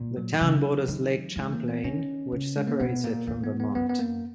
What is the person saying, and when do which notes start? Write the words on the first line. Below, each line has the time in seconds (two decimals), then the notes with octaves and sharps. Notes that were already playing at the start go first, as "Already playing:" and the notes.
The town borders Lake Champlain, which separates it from Vermont.
Already playing: A#2
0.17 F#3
0.41 C#3
0.88 D#3
1.36 E3 G#3
1.53 A#3
1.68 B3
1.84 D#3 C#4
2.32 C#3
2.56 G#3
2.68 A#3
2.79 B2 B3
3.04 A#2 A#3
3.27 E2 A#3
3.43 B3
3.60 B3
3.75 F#2 B3
3.90 B3
3.99 A#3